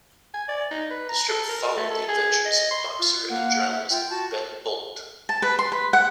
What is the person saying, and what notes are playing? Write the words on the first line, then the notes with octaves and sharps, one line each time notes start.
The strip followed the adventures of boxer and journalist Ben Bolt.
G#5
D5
D#4
B4
A#5
A4
A#4
A3
A4
G#4
D#5
C6
F4
A#3 F#5
E5
F4 G5
F#4 A5
A5
B4
C6
B4
F#5